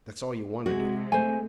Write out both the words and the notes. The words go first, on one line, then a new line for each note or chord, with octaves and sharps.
"That's all you want to do."
C3 G#3 F#4
A3 C5 G#5